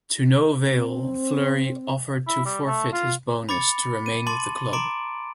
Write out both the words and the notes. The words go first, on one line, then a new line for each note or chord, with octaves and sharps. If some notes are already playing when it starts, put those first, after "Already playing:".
To no avail, Fleury offered to forfeit his bonus to remain with the club.
C4
E4
G3
A3
F4
B5 D6 A6 C#7
D#7
A5 C6 D6 A6 F#7
A#5 C6 D6 D7